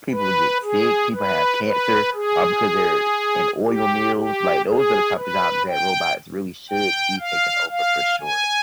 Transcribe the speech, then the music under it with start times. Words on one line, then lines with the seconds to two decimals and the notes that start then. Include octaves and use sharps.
people get sick, people have cancer, uh, because they're in oil mills, like, those are the type of jobs that robots really should be taking over for sure.
0.12 B4
0.63 G#4
1.14 B4
1.64 B4
2.14 G#4
3.66 G4
4.16 G4
4.68 G#4
5.17 B4
5.68 G5
6.70 G5
7.20 F5
7.70 F5
8.21 G#5